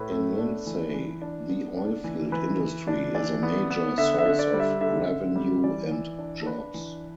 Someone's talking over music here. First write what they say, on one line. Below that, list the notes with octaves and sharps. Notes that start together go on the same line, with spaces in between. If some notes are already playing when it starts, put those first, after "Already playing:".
In Lindsay, the oilfield industry is a major source of revenue and jobs.
Already playing: A2 B4
A3
D4
E3
E3
D4
B3
D4
E3
E3 B4
E3
D4
E3 D5
B3
B3
D3 E5
E5
D3
D5
G3
E5
D3 E5
D3
G3
E3 D5
E3
D4
A4
D4 B4
E3